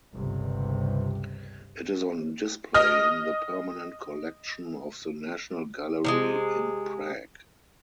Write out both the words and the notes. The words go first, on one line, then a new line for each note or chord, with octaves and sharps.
It is on display in the permanent collection of the National Gallery in Prague.
G1 C#2 G2 C3
D#5 D#6 F6
C3 F3 G#3